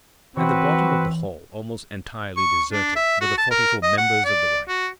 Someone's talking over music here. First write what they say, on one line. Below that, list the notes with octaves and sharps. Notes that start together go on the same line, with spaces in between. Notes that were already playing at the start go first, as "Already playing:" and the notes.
At the bottom of the hall, almost entirely deserted, were the forty-four members of the right.
E3 C4 F#4 B4 C#5
C#6
D4
E5
F#4
A5
A#4
D#5
F#5
D5
F#4